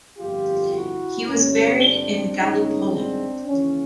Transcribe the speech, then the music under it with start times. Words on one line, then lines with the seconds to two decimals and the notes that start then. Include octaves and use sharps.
He was buried in Gallipoli.
0.18 G1 F2 D3 F3 F4 G4
0.73 E4 F#4
1.27 G1 G2 D3 G3 C#4
1.82 C4 D4
2.37 G1 G2 D#3 G#3 B3 C#4 D#4
2.93 C4 D4
3.46 D#2 C#3 E3 C#4